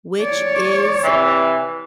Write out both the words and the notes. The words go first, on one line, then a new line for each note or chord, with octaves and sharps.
which is
C#5 D5
C3 E3